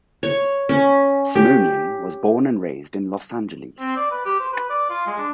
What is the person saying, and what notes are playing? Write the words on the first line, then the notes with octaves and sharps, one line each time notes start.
Simonian was born and raised in Los Angeles.
C#5
C#4
G4
C4
D5
B4
G4
C5
B4
D5
F4
G#3
D4